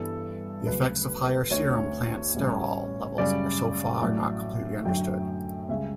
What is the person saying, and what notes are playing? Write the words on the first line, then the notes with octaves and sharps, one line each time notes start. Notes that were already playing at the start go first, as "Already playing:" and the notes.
The effects of higher serum plant sterol levels are so far not completely understood.
Already playing: G2 E3 G3 B3 A4
D2 C#3 F#3 B4
D2 D3 A3 D4 C#5
A1 A2 G3 C#4
F#2 C#3 G3 C#4 D5
A1 A2 F#3
F#2 D3 F#3 A3 G5
C#2 C#3 G3 C#4 E5